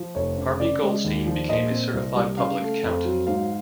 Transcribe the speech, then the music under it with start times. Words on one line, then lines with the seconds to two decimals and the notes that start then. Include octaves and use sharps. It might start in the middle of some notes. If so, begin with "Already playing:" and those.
Harvey Goldstein became a certified public accountant.
Already playing: F3
0.15 F1 C#5
0.38 C#3
0.60 C#3 D5
0.83 G#3
1.05 D#2
1.26 F3
1.49 A#2 D#5
1.71 C4
1.94 C2
2.16 G3
2.38 C#3 F5
2.60 A3
2.83 F2
3.05 F#3
3.27 G#2 F5